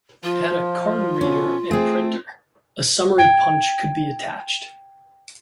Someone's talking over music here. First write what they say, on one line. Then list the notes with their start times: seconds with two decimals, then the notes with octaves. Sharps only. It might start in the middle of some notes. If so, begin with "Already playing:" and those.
It had a card reader and printer; a summary punch could be attached.
0.24 F3 F4
1.21 B2 F3 C#4 A4
1.71 A3 C4 G#4
3.18 G5 G#6 D7